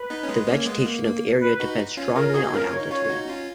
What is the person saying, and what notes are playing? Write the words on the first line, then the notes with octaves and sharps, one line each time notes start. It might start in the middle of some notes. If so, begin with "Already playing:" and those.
The vegetation of the area depends strongly on altitude.
Already playing: B4
B3 D#4
C#4
G#3 B3
A#3 C#4
G#3 B3
A#3
A#3
B4
D#4 F#4
C#4 F4
C#4 F4 A#4
D#4 F#4 G#4
C#4 F4 A#4
C#5
D#4
C#4 F4 C#5
F4
D#4 F#4
C#4 F4